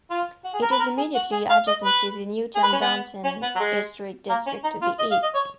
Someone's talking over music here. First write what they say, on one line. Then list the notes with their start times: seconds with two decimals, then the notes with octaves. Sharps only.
It is immediately adjacent to the Newton Downtown Historic District to the east.
0.10 F4
0.44 F#4
0.54 G#4
0.62 A#4
0.71 B4
0.80 A#4
0.97 G#4
1.15 F#4
1.32 G#4
1.50 F5
1.67 D#5
1.84 B4
2.55 G#4
2.63 B4
2.72 C#4
2.81 B3
3.24 C#4
3.42 B3
3.55 F#3
3.59 G#3
4.29 A#3
4.46 C#4
4.64 D#4
4.82 F4
4.99 D#5
5.11 F5
5.23 D#5
5.34 C#5